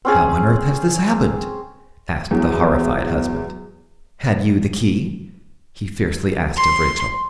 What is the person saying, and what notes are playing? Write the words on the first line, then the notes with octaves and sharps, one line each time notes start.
"How on earth has this happened?" asked the horrified husband. "Had you the key?" he fiercely asked of Rachel.
C4 C#4 G#4
E2 E3 F#3
C6